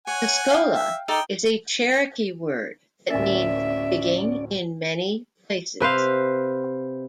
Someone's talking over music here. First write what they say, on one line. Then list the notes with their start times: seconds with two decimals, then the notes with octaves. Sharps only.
Tuscola is a Cherokee word that means "Digging in Many Places".
0.07 C#5 F#5 G#5
0.50 F5 G5
0.74 E5
1.08 D#4 A4 D5 G5
3.10 D1 A#3 C#4 D5 E5
5.80 C3 B4 C5 F5